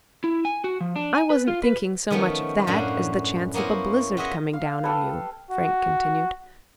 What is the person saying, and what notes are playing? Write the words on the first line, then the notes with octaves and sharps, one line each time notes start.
"I wasn't thinking so much of that as the chance of a blizzard coming down on you," Frank continued.
E4
G#5
F#4
F3
D4
G#5
B4
F4
B4
D#3 F3 A3 B3 C#4
F#2 A2 C#4 D4 F#4 F5
A#3 B3 C#4 E4 C5
F4 F#4 G#4 D#5 E5 F#5
F5
G4 A4 B4
F#4